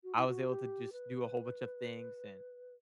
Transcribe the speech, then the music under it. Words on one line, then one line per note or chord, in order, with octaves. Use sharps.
I was able to just do a whole bunch of things, and
F#4
E4
F#4
G4
B4